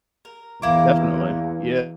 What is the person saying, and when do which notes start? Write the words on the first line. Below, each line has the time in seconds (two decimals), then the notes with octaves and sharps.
Definitely. Yeah,
0.25 A#4
0.62 E2 A#3 E4 D6